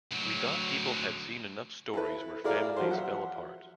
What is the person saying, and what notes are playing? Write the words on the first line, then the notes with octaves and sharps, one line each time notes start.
We thought people had seen enough stories where families fell apart.
D2 F#3
E4 A4 B4
E4 G#4 A#4 D5 F5
F3 F#3 F#4 G4 C5
E5 F#5